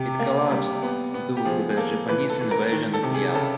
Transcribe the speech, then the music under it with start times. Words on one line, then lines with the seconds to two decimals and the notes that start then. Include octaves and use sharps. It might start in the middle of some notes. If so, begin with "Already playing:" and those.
It collapsed due to the Japanese invasion of Java.
Already playing: C3 G4
0.19 A#3
0.51 G3
0.82 B3
1.14 B3
1.37 G4
1.45 F3 G#4
1.70 G#4
1.77 A#3 A4
2.09 E3 B4
2.29 A4
2.41 E3
2.51 A#4
2.72 D#3
2.93 A4
3.03 C3
3.14 G#4
3.34 C#3 A4